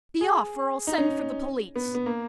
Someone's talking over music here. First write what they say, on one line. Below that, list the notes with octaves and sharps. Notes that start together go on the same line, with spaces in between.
Be off, or I'll send for the police.'
G#4
D#4
C#4
B3
B3
A#3